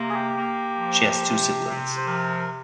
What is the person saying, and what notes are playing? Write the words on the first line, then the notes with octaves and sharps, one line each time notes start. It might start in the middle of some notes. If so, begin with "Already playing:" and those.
She has two siblings.
Already playing: C3 A#3
G#4
G4
A#3
F3
C3
C3
C5
F3 A#4
A#4